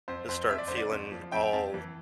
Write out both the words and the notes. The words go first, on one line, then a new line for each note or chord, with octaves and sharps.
You'll start feeling all
F2 C5
F2 C5
F2 E5
D5
D3 C5
D5
F2
F3
F2 G5
F2 A5
E3